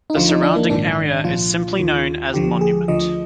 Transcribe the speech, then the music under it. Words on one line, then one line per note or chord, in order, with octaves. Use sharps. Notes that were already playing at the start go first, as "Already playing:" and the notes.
The surrounding area is simply known as Monument.
D#4
D2 D3 F3 F4
D#4
D4
A#3
A#1 G#2 D#3 D4
C2 A#2 F3 F4
D#2 D#3
D2 D3 F3 G4
G#4
D2 D3 F3 D#5